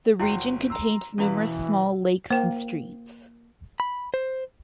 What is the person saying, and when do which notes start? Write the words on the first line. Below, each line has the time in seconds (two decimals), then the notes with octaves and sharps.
The region contains numerous small lakes and streams.
0.20 G1 E4 F#4 F#5 G5 C6
0.70 A#5 C6 E6
1.18 B2 E3 C#4 E4 B4 F5 B5
2.30 A#3 C5 G5
3.80 B5
4.14 C5